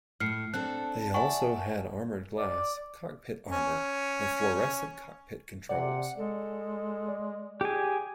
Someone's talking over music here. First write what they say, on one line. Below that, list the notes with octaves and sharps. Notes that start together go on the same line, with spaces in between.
They also had armored glass, cockpit armor and fluorescent cockpit controls.
A2 F6 C7 C#7
C4 D4 A4 A5 F#6
D5 E5 F#5 G#5 C#6
D5
C#4
C3 D5 F#5
G#3 A4
D5
G4 G#4 G#5